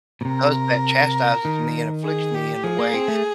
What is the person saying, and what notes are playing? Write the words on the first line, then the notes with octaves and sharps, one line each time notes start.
i does that chastises me and afflicts me in the way,
B2
C3 A#4
D#3
G#4
G4
F3 G#4
A#3
C4
A3